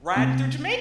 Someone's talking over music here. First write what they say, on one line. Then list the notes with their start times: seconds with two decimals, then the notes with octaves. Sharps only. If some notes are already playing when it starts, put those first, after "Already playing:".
riding through Jamai
0.16 C3